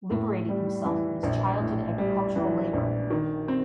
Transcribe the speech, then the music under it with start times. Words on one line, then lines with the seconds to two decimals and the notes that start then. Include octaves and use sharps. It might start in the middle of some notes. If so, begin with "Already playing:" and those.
Liberating himself from his childhood agricultural labor.
0.11 A2
0.49 G3
0.85 E3
1.23 A#1
1.60 A2
1.98 G3
2.36 E3
2.73 A#1
3.10 D#3
3.48 C4